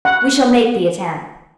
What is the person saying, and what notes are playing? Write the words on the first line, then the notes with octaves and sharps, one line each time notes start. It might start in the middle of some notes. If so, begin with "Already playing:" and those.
We shall make the attempt.
F#5